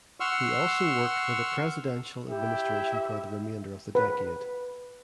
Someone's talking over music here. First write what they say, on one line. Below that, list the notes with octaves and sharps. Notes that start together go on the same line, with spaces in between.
He also worked for the presidential administration for the remainder of the decade.
F#5 C6 C#6 E6 F6
E4 G4 E5 G5
B4